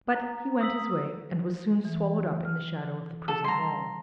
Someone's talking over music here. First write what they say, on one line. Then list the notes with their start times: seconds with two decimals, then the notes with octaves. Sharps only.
But, he went his way, and was soon swallowed up in the shadow of the prison wall.
0.15 A#5
0.61 D#6 E6 B6 F#7
1.85 E3
2.45 F6
3.28 A4
3.44 G3 A5 A#5 C6 A#6